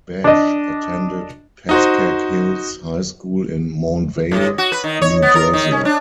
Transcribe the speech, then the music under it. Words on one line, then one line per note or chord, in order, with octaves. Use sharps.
Bash attended Pascack Hills High School in Montvale, New Jersey.
D4 D#5
D#4 F#4 C5
A2
F#4
B4
D#3
C#5
B3
A#4
D#3
C#4
D4